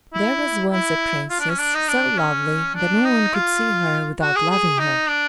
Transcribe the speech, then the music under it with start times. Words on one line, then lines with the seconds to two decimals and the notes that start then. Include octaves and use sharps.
There was once a Princess so lovely that no one could see her without loving her.
0.14 E4
0.72 E4
1.30 F4
1.40 D4
1.49 C#4
1.59 D4
1.74 D#4
1.88 D4
2.18 C#4
2.75 D4
3.04 D#4
3.34 F4
4.21 F#4
4.36 G#4
4.50 G#4
4.79 D#4
5.09 D4